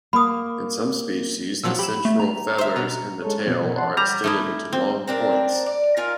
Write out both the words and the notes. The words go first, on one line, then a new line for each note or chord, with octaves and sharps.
In some species, the central feathers in the tail are extended into long points.
A#3 B5 D#6
A#2 F3 F#3 E6
G4 B5 E7
A3
A#5
C5 E5
B2 A#5
G#3 A4 C#5
F#2 B2 F3 C4
B2 F3
E3 F#5 A5 C6
G3 A#5
A3 D#4 E4
C4
C4 D4 A#4
D5
D#4 F4 A#4 G#5